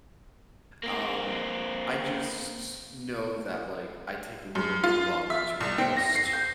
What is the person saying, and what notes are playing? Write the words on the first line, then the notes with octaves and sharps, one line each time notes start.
um, I just know that, like, I take a little bit longer to adjust
A#3 C4
F#2
F4
E5
C2
C4
A#6
C7
G6